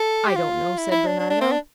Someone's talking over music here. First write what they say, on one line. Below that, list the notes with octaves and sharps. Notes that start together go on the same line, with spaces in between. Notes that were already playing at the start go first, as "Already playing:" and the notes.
"I don't know," said Bernardo.
Already playing: A4
G4
F4
E4
E4
D4
D4
D4
C4
D4